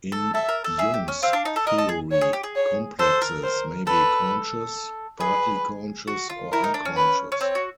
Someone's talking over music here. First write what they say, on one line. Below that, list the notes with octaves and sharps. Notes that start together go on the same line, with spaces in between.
In Jung's theory, complexes may be conscious, partly conscious, or unconscious.
A4
A4 E5
A#4
A4
G#4 E5
G4
C#4
C4 F5
D4
D#4
A4
A#4 D#5
A4
G#4
C#5
G#4
G4
G#4
C#5
A4 C5
A#4
C5
A4 B4
G#4 B4
F#4
F4
E4 A#4
D#4
D4
C#4
B4
C#4
C4 C#5
F#4